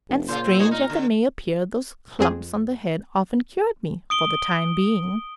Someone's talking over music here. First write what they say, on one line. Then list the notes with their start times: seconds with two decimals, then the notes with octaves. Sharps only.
And, strange as it may appear, those clumps on the head often cured me--for the time being.
0.09 F1
0.28 A#2 C#3 F4 C5
0.44 C4
0.59 D#4 F#4 G#4 C5
0.71 D#4 A#4
0.90 D3
2.19 F2 C4 G#4 D#6
4.10 D#6 D7 G7